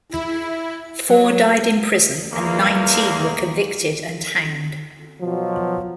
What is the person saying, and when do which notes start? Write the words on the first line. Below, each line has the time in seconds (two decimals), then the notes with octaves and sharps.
Four died in prison and nineteen were convicted and hanged.
0.13 E4
1.09 F#3
2.32 E2 A#3
5.22 B2 F3 F#3